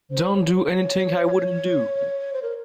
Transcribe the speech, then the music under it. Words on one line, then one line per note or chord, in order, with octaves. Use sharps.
Don't do anything I wouldn't do.
C5
C#5
C#5
C5
C#5
C5
A#4